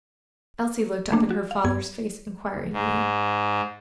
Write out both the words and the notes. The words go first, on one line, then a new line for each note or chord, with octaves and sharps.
Elsie looked up in her father's face inquiringly.
A3 A#3 D4
F#4
F5
G2 B3 G#6
G#2